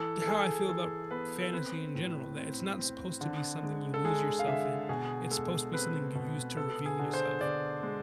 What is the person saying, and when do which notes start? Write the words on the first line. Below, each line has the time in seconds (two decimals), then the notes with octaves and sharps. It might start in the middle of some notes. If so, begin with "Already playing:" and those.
how I feel about fantasy in general, that it's not supposed to be something you lose yourself in, it's supposed to be something you use to reveal yourself.
Already playing: E3 A4
0.22 A4
0.26 E3 G#4
0.69 E3 A4
1.11 B3 B4
1.42 A4
1.53 C4 B4
1.95 A2
2.37 C4
2.79 C4
3.21 D3
3.63 G#3
3.94 A4
4.05 G#3 G#4
4.39 F5
4.47 D3 E5
4.89 B2 G#4
5.31 G#3 A4
5.73 C4 B4
6.15 B2
6.57 B3 A4
6.86 G#4
6.99 D3
7.14 C5
7.41 D3 D5
7.83 G#3